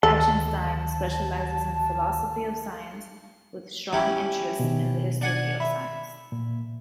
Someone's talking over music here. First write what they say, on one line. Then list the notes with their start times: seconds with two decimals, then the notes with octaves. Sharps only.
Achinstein specializes in philosophy of science with strong interests in the history of science.
0.03 D2 D#3 A4 A5 A6
3.93 C#4 E4 G4
4.59 B2 D#3
5.21 D4 F#5 G#5
5.60 E5 B5
6.32 A#2